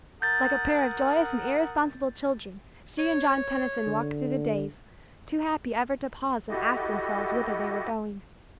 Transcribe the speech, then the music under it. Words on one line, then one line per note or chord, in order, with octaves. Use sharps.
Like a pair of joyous and irresponsible children she and John Tenison walked through the days, too happy ever to pause and ask themselves whither they were going.
A#4 F#5 D#6 G6 A6
C#5
D3
E4 F#4 G4 A4 D#5